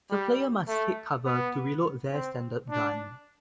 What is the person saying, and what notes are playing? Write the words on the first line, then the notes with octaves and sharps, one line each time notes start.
The player must take cover to reload their standard gun.
G3
A3
B3
C4
D4